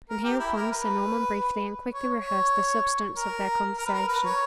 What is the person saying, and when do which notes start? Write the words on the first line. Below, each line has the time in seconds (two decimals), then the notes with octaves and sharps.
And hereupon Sir Norman briefly and quickly rehearsed the substance of their conversation.
0.10 A#4
0.24 G4
0.40 E4
0.56 A#4
0.71 B4
1.94 C#5
2.19 C#5
3.17 A#4
3.78 A#4
3.86 B4
3.94 A#4
4.08 B4
4.24 C#5